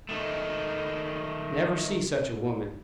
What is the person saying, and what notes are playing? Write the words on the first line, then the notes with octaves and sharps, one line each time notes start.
I never see such a woman.
D#3 A3